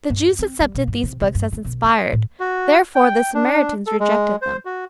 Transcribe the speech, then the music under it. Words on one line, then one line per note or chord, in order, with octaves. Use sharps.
The Jews accepted these Books as inspired; therefore the Samaritans rejected them.
G2
C4
G3
B2
G2
C3
C3
G2
C#3
B1
E4
A2
F#4
G5
D4
A4
G#3
C5
F#4